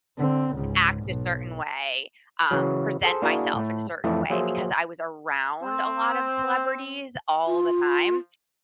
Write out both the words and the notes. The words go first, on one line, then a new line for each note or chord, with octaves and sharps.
act a certain way, um, present myself in a certain way, because I was around a lot of celebrities all the time,
D3 C4
C#2 G#2
B1
C#3 E3 F#3
G#4 A4 C5
A#3 D4 E4 F#4 G#4 A#4
A2 A3
F2 E3 A3 E4
F3 F#3 A#3 G#4 C5 E5
C4
F4